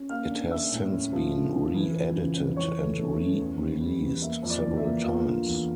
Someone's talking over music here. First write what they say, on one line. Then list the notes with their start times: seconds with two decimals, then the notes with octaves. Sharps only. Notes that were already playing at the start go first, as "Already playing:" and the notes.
It has since been re-edited and re-released several times.
Already playing: C#4
0.10 A#3 F5 F6
0.30 D4
0.51 A#3 E5 E6
0.72 A2
0.92 C#4
1.13 F3
1.33 D3
1.54 D3
1.75 E3
1.95 F2
2.16 C#3
2.36 F2
2.56 E3 C#5 C#6
2.78 A3
2.99 A3
3.19 C#4
3.39 E2
3.60 G3
3.81 G3
4.02 E2
4.22 A#3 E5
4.43 F2
4.50 D5
4.63 E3
4.77 E5
4.84 A#3
5.04 E2 F4 F5
5.25 D3
5.46 E2